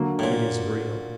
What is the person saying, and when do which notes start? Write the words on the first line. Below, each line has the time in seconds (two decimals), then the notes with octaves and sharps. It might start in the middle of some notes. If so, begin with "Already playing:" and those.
"It is real."
Already playing: D3 F#3 A#3
0.19 A2
0.23 A#2